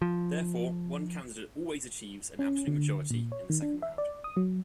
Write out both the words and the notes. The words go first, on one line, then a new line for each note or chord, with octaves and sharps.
Therefore, one candidate always achieves an absolute majority in the second round.
F3
C#4
D3
A#2
C#5
D#3
D4
E5
D5
D#6
F#3